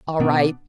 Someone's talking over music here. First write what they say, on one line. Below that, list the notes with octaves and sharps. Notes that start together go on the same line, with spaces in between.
All right.
B2 B3 D4